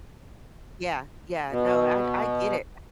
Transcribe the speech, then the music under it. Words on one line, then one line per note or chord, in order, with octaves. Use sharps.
Yeah, yeah, no, I d I get it,
B2